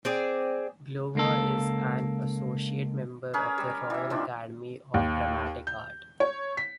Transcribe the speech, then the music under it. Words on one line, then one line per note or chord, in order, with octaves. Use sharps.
Glover is an Associate Member of the Royal Academy of Dramatic Art.
C4 G#4 D5
C#2 A#3 A4
C#4 G#4 A#4 B4
G3
E3 E5
A#2 D#3 C4 D4
D#2
G6
C#5
B6